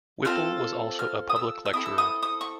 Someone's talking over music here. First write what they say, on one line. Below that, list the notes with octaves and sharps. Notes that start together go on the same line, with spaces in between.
Whipple was also a public lecturer.
C4 F4 A4 F6
F6
D#6
E6
E6
C4 E4 A4 D#6
E6
D#6
D#6
C#6